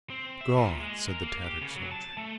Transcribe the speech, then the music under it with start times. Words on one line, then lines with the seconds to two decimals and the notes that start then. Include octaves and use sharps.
"God!" said the tattered soldier.
0.10 C4
0.41 E5
0.57 A#2
0.80 G#3
1.08 A#4
1.22 A#3
1.43 G4
1.61 C#3
1.76 F#3
1.91 A5
2.17 A3